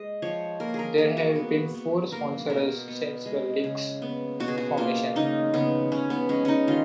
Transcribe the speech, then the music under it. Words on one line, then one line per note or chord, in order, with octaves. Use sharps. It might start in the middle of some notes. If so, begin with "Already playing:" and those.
There have been four sponsors since the league's formation.
Already playing: G#3 D#5
F3 C#5
A#3 A#4
G#4 A#4
A#3 G#4
F#4
B3
B3
A#3 A#4
B2 A#4
B3
G#3
C#3
B3
B2 F#4
G#4
F#4
A#3 F4
C#3 D#4
C#3 B3
C#3 C#4
B3
G#3 C#4
C#4 D#4
D#3 F4